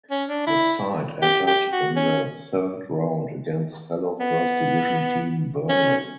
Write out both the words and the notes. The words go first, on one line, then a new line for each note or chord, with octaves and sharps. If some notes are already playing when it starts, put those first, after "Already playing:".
The side entered in the third round against fellow First Division team Burnley.
C#4
D4
E4
G4
G4
F#4
C#4
B3
C#4